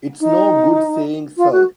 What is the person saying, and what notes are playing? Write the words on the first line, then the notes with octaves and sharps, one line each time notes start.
It's no good saying 'Sir?'
D#4
F4
F#4